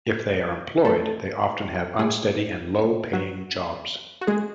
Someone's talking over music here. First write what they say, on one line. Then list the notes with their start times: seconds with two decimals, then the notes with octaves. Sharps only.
If they are employed, they often have unsteady and low-paying jobs.
0.85 A3 A4
1.99 G#3 G#4
3.13 F#3 F#4
4.21 F#4
4.27 G#3 G#4